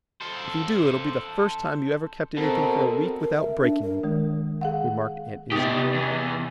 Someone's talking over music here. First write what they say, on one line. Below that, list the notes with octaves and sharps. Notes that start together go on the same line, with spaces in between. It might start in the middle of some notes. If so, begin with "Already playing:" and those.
"If you do, it'll be the first time you ever kept anything for a week without breaking it," remarked Aunt Izzie.
A4 C5
B2 C4 A4 A#4
A#4
E5
D4
A#4
D#3 G#3
G#4 F5 F#5
C3 B3 D#4 G4 D#6
E2